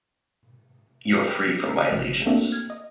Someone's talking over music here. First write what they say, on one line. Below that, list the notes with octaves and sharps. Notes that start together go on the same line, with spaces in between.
You are free from my allegiance.
G5
C#3
A1
A3 A#3 C4 D4 F#4 E5
F6 G#6
D#5